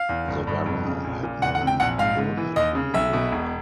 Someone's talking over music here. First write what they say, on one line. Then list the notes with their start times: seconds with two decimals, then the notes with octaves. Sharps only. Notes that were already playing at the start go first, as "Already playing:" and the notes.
Zavala had known Burnet in New York.
Already playing: F5
0.09 E2
0.28 G1
0.47 G2
0.66 F2
0.85 C#3
1.04 A#1
1.23 A#2
1.42 E2 F#5
1.55 F#5
1.61 C3
1.67 G5
1.80 A#1 F#5
1.98 G#2 F5
2.18 G#2
2.37 E3
2.56 D#2 D#5
2.75 C#3
2.94 B1 E5
3.13 B2
3.32 E1